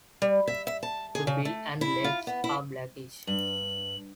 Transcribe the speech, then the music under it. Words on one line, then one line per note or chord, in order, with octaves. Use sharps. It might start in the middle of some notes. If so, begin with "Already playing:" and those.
The bill and legs are blackish.
G3
E5
E5
A5
G#4
C#3
A3
E4
F4
B3
E4
G2 F#7